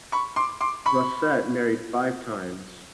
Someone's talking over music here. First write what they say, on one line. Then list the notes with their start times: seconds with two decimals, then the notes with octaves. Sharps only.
Rosset married five times.
0.12 B5 C#6
0.36 C6 D6
0.61 C6 D6
0.86 B5 C#6